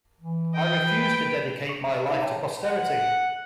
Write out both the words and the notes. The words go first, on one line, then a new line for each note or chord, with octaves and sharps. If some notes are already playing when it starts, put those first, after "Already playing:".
I refuse to dedicate my life to posterity.
E3
D#5 G5
B4
C#6
D#5
D#4 E5
C#5 G5 A5 A#5
F#5